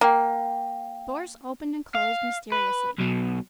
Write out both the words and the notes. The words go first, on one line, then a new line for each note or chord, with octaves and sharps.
Doors opened and closed mysteriously.
A#3 F5 G5
F5
B4
B1 B2